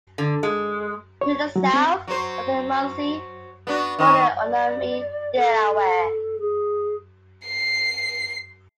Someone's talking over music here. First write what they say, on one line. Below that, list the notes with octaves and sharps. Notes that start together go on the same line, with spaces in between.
To the south of the Munsee were the Unami Delaware.
D3
G#3
C#5
F#3
C4
F#3 C5
B3 D4 F#4
D#3 D#5
D5
A4
G#4
C7